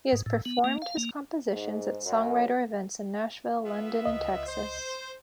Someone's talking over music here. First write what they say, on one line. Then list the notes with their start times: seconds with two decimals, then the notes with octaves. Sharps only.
He has performed his compositions at songwriter events in Nashville, London, and Texas.
0.12 G#2
0.26 A2
0.45 B3
0.64 A#3
0.82 F5
0.97 A#3
1.52 G#2
2.06 F#2
3.66 B3 F4 E5
4.05 C#2 D#5
4.46 C5